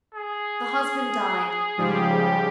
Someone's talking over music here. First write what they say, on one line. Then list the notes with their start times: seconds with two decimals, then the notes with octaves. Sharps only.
The husband died.
0.14 G#4
1.78 G#2 C#3 F3 G3 G4